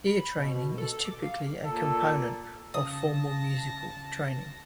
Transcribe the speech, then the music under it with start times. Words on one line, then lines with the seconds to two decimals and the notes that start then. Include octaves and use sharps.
Ear training is typically a component of formal musical training.
0.07 B5
0.38 B2
0.78 A4
1.05 D6
1.23 F5
1.64 A#2 A4
2.74 C#3 A5 D#6 A#6